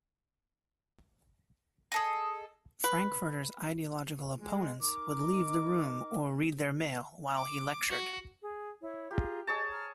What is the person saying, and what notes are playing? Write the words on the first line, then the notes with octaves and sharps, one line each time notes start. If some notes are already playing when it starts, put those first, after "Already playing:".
Frankfurter's ideological opponents would leave the room or read their mail while he lectured.
G#4 A4 D#5
B4
G#3
D#4 A#4 D6
D6
F#4
G#4
E4 C#5
F4 G4 G#4 A#5
G#4 C#5 D#5 A5
A#5 F6